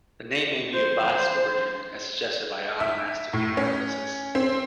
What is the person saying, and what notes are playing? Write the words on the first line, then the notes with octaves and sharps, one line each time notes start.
The name may be of Basque origin, as suggested by onomastic analysis.
C5
E5
A2
C#4
C4